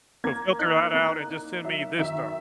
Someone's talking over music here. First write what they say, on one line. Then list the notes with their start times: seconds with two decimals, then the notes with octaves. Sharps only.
so filter that out and just send me this stuff.”
0.24 A#3 G#6
0.59 D#4 F#6
0.94 A#3 F#6
1.29 D#4
1.64 F#3 E5
1.99 D#3 E5